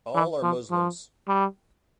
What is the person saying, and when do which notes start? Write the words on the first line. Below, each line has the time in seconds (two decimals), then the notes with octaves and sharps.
All are Muslims.
0.14 E3
0.42 F3
0.71 F3
1.28 G3